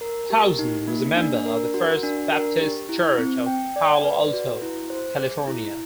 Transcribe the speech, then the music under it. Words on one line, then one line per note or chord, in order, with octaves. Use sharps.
Clausen was a member of the First Baptist Church of Palo Alto, California.
A#4
G4
D#4
A#3
D4
A#4
F#4
D4
A#4
G4
E4
C4
G5
D5
B4
F#4
E4
C5
G#4
E4